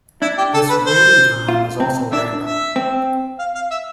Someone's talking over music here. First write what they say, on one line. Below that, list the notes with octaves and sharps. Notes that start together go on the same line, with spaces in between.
This waiting time is also random.
D4 E4
G4
A4
B4
C5
F4
C4
D4 E5
E5
C4
F5
F5
E5